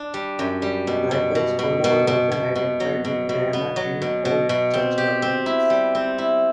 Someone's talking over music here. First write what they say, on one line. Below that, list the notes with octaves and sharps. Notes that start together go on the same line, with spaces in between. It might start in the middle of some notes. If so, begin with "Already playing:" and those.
Likewise, Holda was often identified with Diana in old church documents.
Already playing: D4
G3
F#2
G3
B2
B2
B2
B2
B2
B2
B2
B2
F#3
B2
B2
B3
F#3
B2
B2
B2
C4
G4
C4
E4
G3
C4
E4